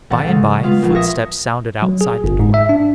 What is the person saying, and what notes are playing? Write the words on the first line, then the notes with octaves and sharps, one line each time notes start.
By and by footsteps sounded outside the door.
A1 F#5 A6
C#3 F#3 G#3
G#3 B3 F4
A#1
E5 D#6 G#6 A#6 C#7
F#3
G#4
G1
G#2
E5
D4